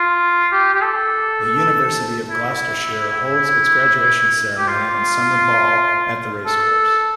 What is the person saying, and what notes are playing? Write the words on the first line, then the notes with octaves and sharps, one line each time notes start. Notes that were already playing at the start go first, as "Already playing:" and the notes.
The University of Gloucestershire holds its graduation ceremony and summer ball at the racecourse.
Already playing: F4
G4
G4
A4
E4
G4
F4
A4